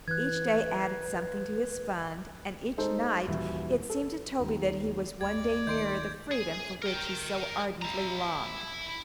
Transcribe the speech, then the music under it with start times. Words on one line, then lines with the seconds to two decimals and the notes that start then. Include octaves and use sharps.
Each day added something to his fund, and each night it seemed to Toby that he was one day nearer the freedom for which he so ardently longed.
0.08 E3 B4 F#6 G#6
2.78 G#3 D#4 A4 C5
3.27 D#1 E3 E4 F#4
3.90 A4
4.40 D#2
5.21 D2 D5 G#6
5.67 D#3 C6 G6 D7
6.31 G#4
6.82 A#4 G5
7.82 E4 A#5